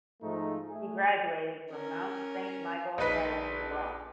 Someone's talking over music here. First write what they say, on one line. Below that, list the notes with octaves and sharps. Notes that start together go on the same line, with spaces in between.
He graduated from Mount Saint Michael Academy in the Bronx.
G#2 F3 A3 D#4
A3 G#4
C#4 A#4
A#1 D#4 B4 B6